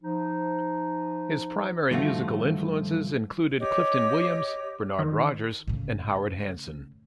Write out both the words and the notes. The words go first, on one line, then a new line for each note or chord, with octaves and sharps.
His primary musical influences included Clifton Williams, Bernard Rogers, and Howard Hanson.
F3 D#4
G2 D#3 F3 A3 F4 F#4
G4 C#5 D#5 D6
D#3
A2 C#3